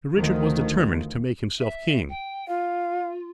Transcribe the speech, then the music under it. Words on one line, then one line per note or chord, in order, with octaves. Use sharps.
But Richard was determined to make himself king.
D2 D#3 F3
E5
G5
F4 F5